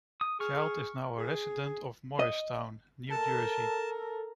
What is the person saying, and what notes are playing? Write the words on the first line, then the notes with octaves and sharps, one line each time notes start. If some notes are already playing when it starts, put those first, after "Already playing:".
Child is now a resident of Morristown, New Jersey.
D#6
G#4 C#6 F6
G#4
D#5
A4 A#4 A5